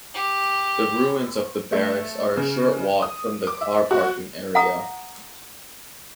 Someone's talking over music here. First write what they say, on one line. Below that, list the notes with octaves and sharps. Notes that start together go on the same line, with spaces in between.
The ruins of the barracks are a short walk from the car parking area.
G4
A3
C#3
D#6
D6
E5
F#4
F#5 A#5 D#6